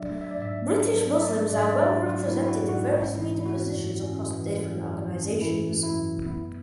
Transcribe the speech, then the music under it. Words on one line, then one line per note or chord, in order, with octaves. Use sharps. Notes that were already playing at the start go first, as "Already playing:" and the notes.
British Muslims are well represented in various media positions across different organisations.
Already playing: F#3 D4 D5 E5
A3
E5
D5
G#2 E5
D4
F#3
E5
A3 D5
G#2 D5
E5
D5
D4 D5
F#3 F#4
E4
A3
E4
F#4
G#2
F#4
C#4
E3 E4
E4
A3 F#4
F#2
C#4
E3
A3
F#2
C#4
E3 E4
A3
E4
F#2
B3